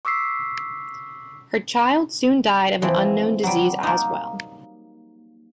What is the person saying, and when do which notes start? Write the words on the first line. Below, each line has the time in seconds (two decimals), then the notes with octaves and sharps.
Her child soon died of an unknown disease as well.
0.05 C#6 D6 E6 B6 C7
2.82 E3 F3 C4
3.43 F#3 G3
3.83 A#3 D#4